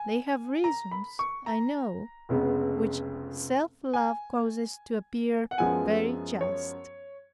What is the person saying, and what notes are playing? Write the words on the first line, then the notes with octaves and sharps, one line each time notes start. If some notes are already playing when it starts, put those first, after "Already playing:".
They have reasons, I know, which self-love causes to appear very just.
Already playing: G#5
A#5
B5
C#6
A#5
F1 F2 C#3 G#3 B3
G#5
F#5
F#2 F3 G#3 B3 G#5
C#5